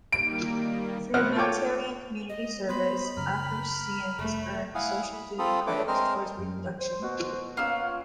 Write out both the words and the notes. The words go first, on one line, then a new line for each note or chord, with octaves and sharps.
Through military and community service, Athosians earn "Social Duty Credits" towards reproduction.
D#3 G3 A#3 D7
B2 B3 C4 F#5 F6
F4 A4 C#5 G5 D6
D#5
B3 C5 D#5 B5
F#2 C#3 A#4 F6
F1 A3
E4 F5 F#5 G#5 D#6
B5
C4 F4 A4 B5 D#6
A3 D4 A4 B4 D6
G#3 C4 A#4 C5 D#5 F6
F#2
C5
B2 F#4
A#3 C#4 F4 F#5 E6